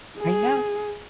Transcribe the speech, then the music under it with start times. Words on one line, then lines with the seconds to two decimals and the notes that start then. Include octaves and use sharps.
I know.
0.19 G#4